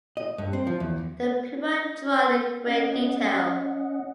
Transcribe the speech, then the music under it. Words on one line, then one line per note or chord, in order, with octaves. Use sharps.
The people are drawn in great detail.
D#5
G2
C4
F3
E2
C#4 D#5 F#5